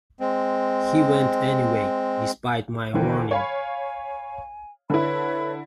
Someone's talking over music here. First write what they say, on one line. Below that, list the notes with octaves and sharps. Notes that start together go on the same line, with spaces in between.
He went anyway, despite my warning.
G#3 C4
D#2 D3 E3 A#4 C5 G5
C#5 F5 G#5 B5
D3 E4 B4 C#5 B5